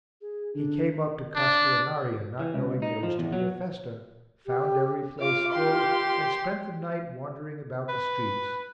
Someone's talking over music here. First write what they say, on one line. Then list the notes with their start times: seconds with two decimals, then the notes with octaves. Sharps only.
He came up to Castellinaria, not knowing there was to be a festa, found every place full and spent the night wandering about the streets.
0.21 G#4
0.55 D3 D4
1.36 D4
2.39 E3
2.54 C#2
2.82 D#4
3.03 F3
3.19 E2
3.32 F#3
4.46 G4
5.19 F4 F5 D6
5.52 G4 C6
7.89 B4